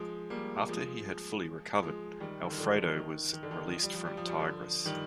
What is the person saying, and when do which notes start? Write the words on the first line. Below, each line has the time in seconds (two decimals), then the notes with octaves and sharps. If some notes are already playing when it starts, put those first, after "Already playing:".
After he had fully recovered, Alfredo was released from Tigres.
Already playing: F3 G#3
0.30 G3 A#3
0.68 F3 G#3
1.82 F3 G#3
2.20 D#3 G3
2.43 D3
2.50 D#3
2.58 D3 F3
2.96 D#3
3.33 D#3
3.43 D3
3.51 D#3
3.71 F3
3.83 G3
3.95 F3
4.05 G3
4.17 F3
4.28 G3
4.40 D3 F3
4.86 D#3 G3